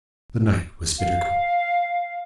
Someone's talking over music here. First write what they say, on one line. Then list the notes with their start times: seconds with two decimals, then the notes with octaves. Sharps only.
The night was bitter cold.
0.98 F5